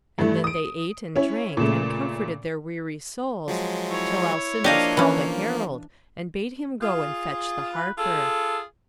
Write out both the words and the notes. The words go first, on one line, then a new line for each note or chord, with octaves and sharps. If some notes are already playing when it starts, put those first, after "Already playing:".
And then they ate and drank, and comforted their weary souls, till Alcinous called a herald, and bade him go and fetch the harper.
G2 E3 A3
D#6 D7
C#4 E4 C#5
A#2 C#3 A3
F3 F#3 G#3
E4 C#5
F3 A#3 D4 G4 D#5 F5
E3 C#4
F4 G#4
B4
F4 G#4 A4